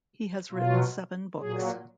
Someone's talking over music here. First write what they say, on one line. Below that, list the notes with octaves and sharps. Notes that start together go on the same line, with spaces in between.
He has written seven books.
B2 F#3 F4
A#2 F#3 G#4